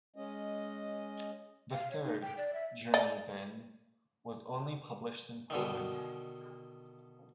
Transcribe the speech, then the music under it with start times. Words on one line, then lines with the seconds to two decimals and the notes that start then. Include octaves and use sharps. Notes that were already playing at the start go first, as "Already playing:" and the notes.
The third, Journey's End, was only published in Poland.
0.16 G#3 C#4 D#5
1.72 F5
1.91 C#5
2.04 D#4
2.22 G5
2.37 D5
2.53 E5
2.94 D5 D#5
5.50 B2 D3 D#3